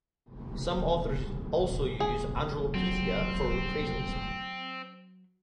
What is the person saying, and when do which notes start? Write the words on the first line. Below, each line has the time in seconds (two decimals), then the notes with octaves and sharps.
Some authors also use "androlepsia" for reprisals.
2.00 G#4
2.74 F#3 C4